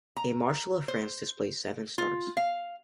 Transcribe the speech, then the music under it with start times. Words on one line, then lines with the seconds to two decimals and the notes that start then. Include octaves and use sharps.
A Marshal of France displays seven stars.
0.17 A#5
0.88 C5
1.98 F4
2.37 F5